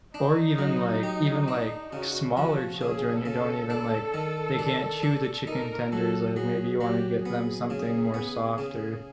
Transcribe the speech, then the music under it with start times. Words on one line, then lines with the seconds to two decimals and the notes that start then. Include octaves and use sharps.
Or even like even like smaller children who don't even like they can't chew the chicken tenders, like, maybe you wanna get them something more soft or
0.14 D4 D#4
0.58 F#3
1.03 G4
1.48 D4
1.92 C#3 F#4
2.37 F3 F#4
2.81 C#3 G#4
3.25 C#3 A4
3.70 D4
4.14 D#3
4.59 D4
5.03 D4
5.47 D#4 A#4
5.92 F#3 A4
6.37 F#3 G#4
6.80 F#3 G4
7.26 B3 G#4
7.70 C#3
8.14 B3
8.58 C#3